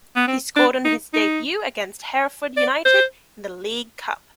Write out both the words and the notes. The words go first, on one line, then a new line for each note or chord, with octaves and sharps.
He scored on his debut against Hereford United in the League Cup.
B3
C4
D4
D#4
D#4
D5
C5